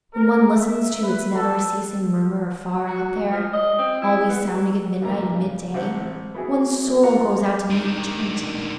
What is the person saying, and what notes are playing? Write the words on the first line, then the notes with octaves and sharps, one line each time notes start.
When one listens to its never-ceasing murmur afar out there, always sounding at midnight and midday, one's soul goes out to meet Eternity.
A#4
E5
B4
A4
F#4
F3
D#5
C4
E4
B3
A1 G2 A3 A#3 A#5
C#3
A1 C4 C5 F#5
B3 E4 F#4 G#4
F#3 A#3
F4 A#4 B4 F#5 A#5 C#6
D3 D#3